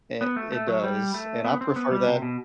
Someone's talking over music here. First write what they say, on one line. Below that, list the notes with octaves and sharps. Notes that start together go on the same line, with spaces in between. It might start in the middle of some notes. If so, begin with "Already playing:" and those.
It it does, and I prefer that.
B3
A3
A3
F#3
G3
A3
B3
C4
B3
G3
C3
B2